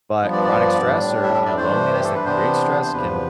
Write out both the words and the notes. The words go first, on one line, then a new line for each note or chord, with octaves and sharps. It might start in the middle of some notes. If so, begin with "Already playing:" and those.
but chronic stress or, you know, loneliness that can create stress can
G2 F3 B3
D5
D5
A2 G3 D4
E5
E5
D5
G2 E3 A3 D4 C5
G4
A4
B4
C3 E3 B3 D4 C5
C5
E2 C3 F3 B4